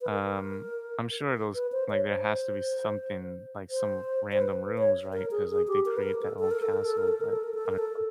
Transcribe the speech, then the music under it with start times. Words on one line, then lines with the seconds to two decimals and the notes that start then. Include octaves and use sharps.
um, I'm sure those like, there has to be something, like, some random rooms, right? 'Cause, like, they create that whole castle, but I don't know.
0.02 B4
0.11 A#4
1.55 B4
1.72 C5
1.90 C#5
2.08 C5
3.70 C5
4.32 C5
4.42 B4
4.78 C#5
5.13 A#4
5.31 G#4
5.50 G#4
5.68 G4
5.86 A#4
5.97 B4
6.03 A#4
6.22 A4
6.39 A4
6.51 A#4
6.62 A4
6.74 A#4
6.85 A4
6.97 A#4
7.08 A4
7.21 A#4
7.32 A4
7.43 A#4
7.54 A4
7.66 A#4
7.78 A4